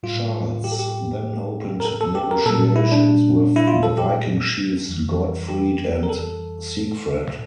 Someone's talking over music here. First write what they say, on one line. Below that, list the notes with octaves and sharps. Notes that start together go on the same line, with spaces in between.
Charles then opened negotiations with the Viking chiefs Godfrid and Sigfred.
A2 G3 F4
G4
A4
G4
A#4
A4
A4
G4
A#4
A#2 G3 A4
E4
D4
E4
F4
A4
G4
F2 E3 G3
G4
A#4
A4